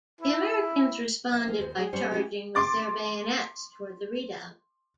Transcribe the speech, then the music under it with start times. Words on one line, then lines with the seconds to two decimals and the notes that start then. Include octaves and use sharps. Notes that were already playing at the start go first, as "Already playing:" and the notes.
The Americans responded by charging with their bayonets towards the redoubt.
0.21 E4
1.32 E5
1.46 B3 F4 G#4
1.58 D#2 C5
1.77 G#3 G#4 G5
1.93 G3 C#4 C5 C#5
2.11 G#3 C#4 D#4 E4 F#4 G4
2.55 C6 D6 A6